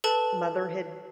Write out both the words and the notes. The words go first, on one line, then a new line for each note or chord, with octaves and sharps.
mother had
A4 B4 A5